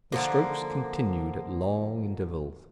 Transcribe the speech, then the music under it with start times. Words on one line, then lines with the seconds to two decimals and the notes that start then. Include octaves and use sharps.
The strokes continued at long intervals.
0.12 D3 F3 A#3